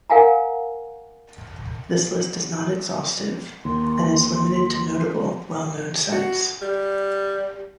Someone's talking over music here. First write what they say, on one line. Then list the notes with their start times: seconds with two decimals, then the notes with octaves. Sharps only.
This list is not exhaustive, and is limited to notable, well-known sites.
0.10 A#4 F5 F#5 G#5 A#5
3.65 D#2 C6
6.12 F#4
6.62 G3